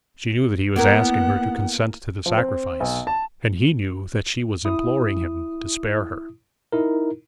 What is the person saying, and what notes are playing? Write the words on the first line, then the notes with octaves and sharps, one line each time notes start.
She knew that he was asking her to consent to the sacrifice, and he knew that she was imploring him to spare her.
A#3 B3 E4 A#4 F#5
F3
C4
B1
A5
E4 D#6
D#4 E4 A#4